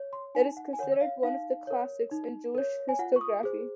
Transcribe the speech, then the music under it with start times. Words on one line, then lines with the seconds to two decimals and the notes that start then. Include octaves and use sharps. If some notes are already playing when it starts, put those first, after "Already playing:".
It is considered one of the classics in Jewish historiography.
Already playing: C#5
0.13 C6
0.35 D#4 G#5
0.57 F#5
0.73 G#5
0.79 A#4 C#5 F#5
1.01 F5
1.23 D#4 F5
1.67 A#4 C#5
2.11 D#4
2.55 A#4 C#5
2.89 G#5
2.99 F4 F#5
3.16 C#6
3.21 D#6
3.43 G#4 C5